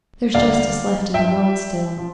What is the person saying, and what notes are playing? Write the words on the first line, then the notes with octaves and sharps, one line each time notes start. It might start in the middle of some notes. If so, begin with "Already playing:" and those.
There's justice left in the world still.
D2 D3 G3 D5 F5
G2 F3 E5 G5
F3